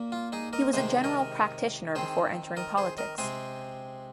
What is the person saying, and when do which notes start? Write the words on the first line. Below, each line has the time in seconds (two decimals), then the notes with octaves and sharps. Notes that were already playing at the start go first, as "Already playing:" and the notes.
He was a general practitioner before entering politics.
Already playing: A#2 A#3
0.12 F4
0.32 D#4 G#4
0.53 A#4 D#5
0.73 C3 D#3 G#3 G#4 C5
1.04 A#4 D#5
1.95 D#3 C4 G#4 C5
2.57 A#4 D#5
2.78 G#4 C5
2.98 A#4 D#5
3.18 C3 G#3 C4 G#4 C5